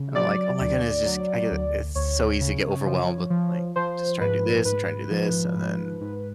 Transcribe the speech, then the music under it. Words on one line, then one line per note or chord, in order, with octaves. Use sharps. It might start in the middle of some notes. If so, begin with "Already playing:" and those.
I'm like, "Oh my goodness." Just I get it's so easy to get overwhelmed with, like, just trying to do this and trying to do this and then,
Already playing: C#3
F#3 D5
D2
F#3
D2
D2 C#5
C#3
F3
F3
F3 C5
G#2 B4
G#2 B4
F3
G#2
G#2